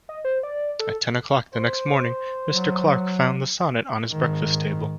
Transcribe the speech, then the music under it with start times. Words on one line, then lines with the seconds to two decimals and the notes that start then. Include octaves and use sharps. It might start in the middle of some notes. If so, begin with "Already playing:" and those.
At ten o'clock the next morning, Mr. Clarke found the sonnet on his breakfast-table.
0.09 D#5
0.25 C5
0.43 D5
0.79 A4
1.55 C5
2.49 F#3
4.11 G#2 D#3